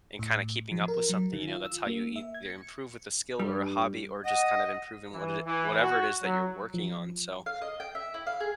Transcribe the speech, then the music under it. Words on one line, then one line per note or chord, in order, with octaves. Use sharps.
and kinda keeping up with something, you know, that's how you either improve with a skill or a hobby or just kind of improving what it whatever it is that you're working on, so.
A2
F3
A#4
F#3
D#3
F4
E6
A#3
E5
G#6
C#7
G2 G3
D#5 F#5
E3
E3
F#4
F#3
F3
F5
D#5
G5
E5
E4
F5
G#4